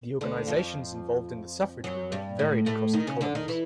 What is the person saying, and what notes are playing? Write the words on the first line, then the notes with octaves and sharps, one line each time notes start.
The organisations involved in the suffrage movement varied across the colonies.
D2 D3
F2 F3
F#2 F#3
G2 G3
A2 A3
A2 A3
D#3 D#4
C#3 C#4
D3 D4
D#3 D#4
E3 E4